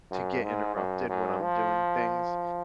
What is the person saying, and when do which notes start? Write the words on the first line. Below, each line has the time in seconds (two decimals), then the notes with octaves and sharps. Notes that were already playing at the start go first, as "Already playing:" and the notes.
to get interrupted when I'm doing things,
0.11 F#2
0.44 G#2
0.76 F#2
1.09 F#2
1.42 F3